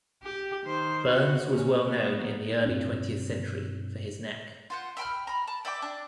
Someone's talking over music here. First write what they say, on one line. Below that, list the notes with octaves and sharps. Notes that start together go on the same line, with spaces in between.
Burns was well known in the early twentieth century for his neck.
G4
D#3 C5
B3 F#4
A#2 C#4
A#3 B3
G2 B2 C4 D4
F4 C5 F#5
E5 G5 B5 F6
A#5 B5
A5
D5 E5 G5 D6
D4